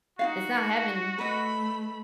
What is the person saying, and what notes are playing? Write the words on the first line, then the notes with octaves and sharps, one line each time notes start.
It's not heaven.
D#4 F4 F#4 F5
A3 B4 D#5 B5